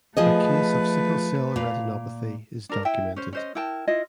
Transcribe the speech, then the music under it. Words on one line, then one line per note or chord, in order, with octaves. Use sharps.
A case of sickle cell retinopathy is documented.
F3 A3 G#4 B4 D#5
A#2 F5
D4 A#4
E4 E5 G5
C#4 C5
C#4 C5 D#5
E4 A#4 G5 A5
E4 F4 D#5